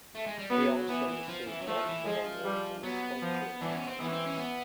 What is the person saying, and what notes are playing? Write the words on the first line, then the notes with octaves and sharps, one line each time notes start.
He also received multiple awards in sculpture contests.
A3
G#3
G3
F#3 B3
E3 B3
E3
F3
E3
F#3
F3 A3
E3
F3 G#3
G3
F#3 B3
F3
E3 D4
C#4
C4
E3 B3
C#4
C4
C#4
B3